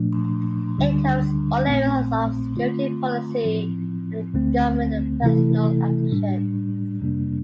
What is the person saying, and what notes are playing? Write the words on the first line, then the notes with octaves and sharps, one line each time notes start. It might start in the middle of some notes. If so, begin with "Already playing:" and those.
It covers all areas of security policy and government and personal action.
Already playing: A#2 F3 A3 D4
D2 D3 G3 D4
A#1 A#2 A3 C4
D3 A3 C4 F4
A2 F3 C4 E4
D2 D3 A3 C4
C3 E3 A3 E4 A4
A2 G3 D4
F2 C3 G3 A#3 D4